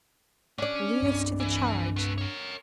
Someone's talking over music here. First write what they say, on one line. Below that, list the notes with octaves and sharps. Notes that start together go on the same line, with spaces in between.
Lead us to the charge!
C#4 D4 D5
G2 C4
E3
A3 B4
A#4 C#5